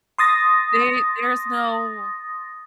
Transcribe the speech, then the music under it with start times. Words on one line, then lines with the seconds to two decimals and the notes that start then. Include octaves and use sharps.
they there's no
0.18 C6 D#6 A6 A#6